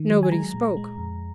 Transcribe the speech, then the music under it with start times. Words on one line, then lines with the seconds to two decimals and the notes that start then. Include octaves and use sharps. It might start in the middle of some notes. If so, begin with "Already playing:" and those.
Nobody spoke.
Already playing: D#3
0.10 F#3
0.23 G#5
0.32 G#3 A#5
0.54 A#2
0.77 G#3
0.98 F2